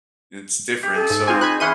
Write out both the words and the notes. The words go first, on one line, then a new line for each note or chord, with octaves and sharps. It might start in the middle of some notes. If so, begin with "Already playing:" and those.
It's different, so
G4
G#4 A4
G#2
C4 D#4 F4 G#5
G#5 B5 F#6
E3 C#4 G#4 B4 F#5 C6 D#7